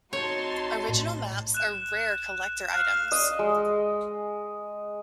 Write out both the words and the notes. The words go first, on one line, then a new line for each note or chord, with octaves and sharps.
Original maps are rare collector items.
C4 D#4 F#4 C#5 A5 C6
A2
F#6 E7
F5 F#6
D#5
G#3